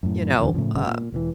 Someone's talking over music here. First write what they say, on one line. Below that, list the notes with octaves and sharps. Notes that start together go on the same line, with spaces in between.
you know, uh
F#2 A2
D1 E2 D3
A2 C#3 F3
G#1 F#2 C#3
A#2
E1 A2 E3